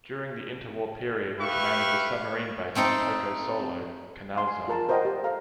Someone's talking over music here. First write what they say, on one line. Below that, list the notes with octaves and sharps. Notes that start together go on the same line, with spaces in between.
During the inter-war period, he commanded the Submarine Base at Coco Solo, Canal Zone.
G4 B4 E5 F5 C#6
A3 C4 D#4 A4
F5 C6
G#5
F4 G#4 A#4 A5
A#4 C5 D5 D#5 F#5 G5
G4
A4 F5 A#5